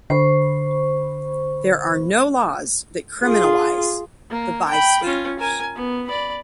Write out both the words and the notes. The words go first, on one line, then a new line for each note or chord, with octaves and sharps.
There are no laws that criminalize the bystanders.
D3 C5 B5 C#6
F4 G#4
A#3
G5 B5
C#4 F4
A#4 G#5
B3
D5 B5